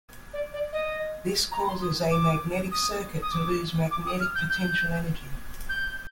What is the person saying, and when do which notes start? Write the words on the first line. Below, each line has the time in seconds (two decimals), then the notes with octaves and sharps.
This causes a magnetic circuit to lose magnetic potential energy.
0.33 D5
0.53 D5
0.72 D#5
1.51 A#5
1.67 C6
1.82 D#6
2.11 D6
2.71 D#6
3.22 D#6
3.31 D6
3.91 D6
4.06 D#6
4.20 F6
4.35 G6
4.50 G6
5.69 G6